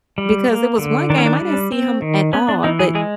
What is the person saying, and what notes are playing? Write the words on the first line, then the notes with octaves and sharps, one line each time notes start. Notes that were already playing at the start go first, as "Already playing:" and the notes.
because it was one game, I didn't see him at all, but
G3
A#3
D3
D#3 D4
C#4
D4
G3
C4
D#3
B3 C#4
D4
E3 D#4
G#4
G#3 G#4